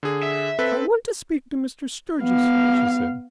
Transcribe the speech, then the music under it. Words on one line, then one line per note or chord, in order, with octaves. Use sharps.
"I want to speak to Mr. Sturgis," she said.
D3 G#4
E5
C4 A4 B4
B3 F5